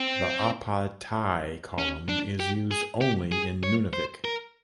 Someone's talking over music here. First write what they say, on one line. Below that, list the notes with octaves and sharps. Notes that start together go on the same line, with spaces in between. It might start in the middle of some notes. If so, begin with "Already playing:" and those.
The "ai-pai-tai" column is used only in Nunavik.
Already playing: C4
C#4
D4
G4
G#4
G4
G#4
C#5
C5
A#4